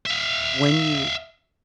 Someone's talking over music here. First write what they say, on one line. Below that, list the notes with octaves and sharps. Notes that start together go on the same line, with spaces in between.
when you
E5 F5